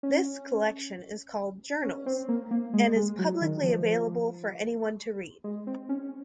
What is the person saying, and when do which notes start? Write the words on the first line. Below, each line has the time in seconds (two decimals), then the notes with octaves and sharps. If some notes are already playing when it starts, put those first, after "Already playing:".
This collection is called "journals", and is publicly available for anyone to read.
0.03 C#4
1.83 C#4
2.06 C4
2.28 A#3
2.51 A#3
2.73 G#3
2.96 G#3
3.19 F#3
3.42 D#3
3.64 F3
5.44 G#3
5.67 C4
5.89 C#4